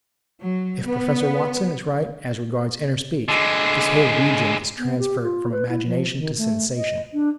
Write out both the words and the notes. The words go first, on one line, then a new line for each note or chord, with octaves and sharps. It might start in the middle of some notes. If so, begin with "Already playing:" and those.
If Professor Watson is right as regards inner speech, this whole region is transferred from imagination to sensation.
F#3
B3
D3 G#3
B3
G4
F4
B4
E4
F3
D#3
A3
D#5
D4